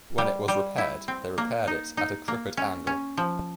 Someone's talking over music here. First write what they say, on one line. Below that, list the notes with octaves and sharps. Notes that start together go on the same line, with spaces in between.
When it was repaired, they repaired it at a crooked angle.
G3
G3
E4
C4
A#3
D#4
D#4
A#3
C#4
C#4
F3